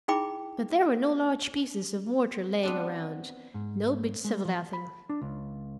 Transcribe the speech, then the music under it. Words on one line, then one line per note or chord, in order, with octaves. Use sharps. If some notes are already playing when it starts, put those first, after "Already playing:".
But there were no large pieces of mortar lying around--no bits of lathing.
D#4 E4 G#4 G5 B5 D6
B3 C4 D4
G#2
G#3
F3
B5
D4
C#2